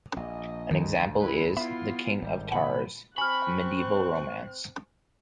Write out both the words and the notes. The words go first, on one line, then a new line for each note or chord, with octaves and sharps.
An example is in "The King of Tars", a medieval romance.
A#1 D#5
D2 D#3
E4 B4
B3 E4 F4 E5 B5
G#1 G3
A#2 D3 E3 F#5 B5
C4 G#5 B5 C#6 F6 F#6